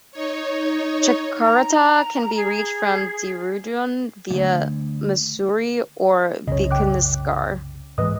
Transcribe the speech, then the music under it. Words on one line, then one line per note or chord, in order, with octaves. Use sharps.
Chakrata can be reached from Dehradun via Mussoorie or Vikasnagar.
D#4 C#5
A#5
G#4
D2 G#2
C2 F#2 C#3 C#5 D#5
G5 D6 F#6
G#2 E3 G#3 B4 D#5 D#6